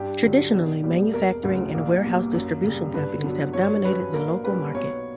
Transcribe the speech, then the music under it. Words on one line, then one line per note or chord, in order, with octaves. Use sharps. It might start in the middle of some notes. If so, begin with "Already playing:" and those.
Traditionally, manufacturing and warehouse distribution companies have dominated the local market.
Already playing: G2 G4
D3 F#3
B1
A#2 G3 B3
E1 A#4
D2 C#3 F#3 B3
A#1
A#2 G3 B3
F#2
C#3 G3
G2 B4
D3 F#3 B3
G2 C#5
F#3 C#4 B4
A#1 A#4
A#2 G3 C#4 B4
B1 C#5